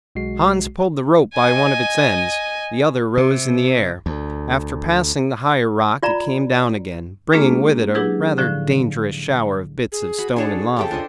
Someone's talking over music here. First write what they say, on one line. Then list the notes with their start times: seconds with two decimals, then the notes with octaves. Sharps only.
Hans pulled the rope by one of its ends, the other rose in the air; after passing the higher rock it came down again, bringing with it a rather dangerous shower of bits of stone and lava.
0.15 B1 G#3 F#4 C7
1.34 D#5 G#5
3.17 C3
4.06 D2
6.03 F4 D5 A#5 B5
7.32 G#3 A#3 C#4 D4 F4 G#4
7.95 F#3 D4 E4 G4 G#4 B4
8.38 A2 D3 F3
9.92 G#4
10.18 F#4 B5
10.36 D4 G#4 A4 C#5
10.77 C#3 G4 A4 G5
10.91 D4 F4 C5 D#5